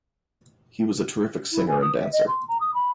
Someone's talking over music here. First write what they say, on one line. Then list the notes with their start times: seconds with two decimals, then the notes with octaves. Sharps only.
He was a terrific singer and dancer.
1.52 E4
1.68 G#5
1.81 D#6
1.97 E5
2.13 D#5
2.28 C6
2.48 A#5
2.61 D#6
2.74 B5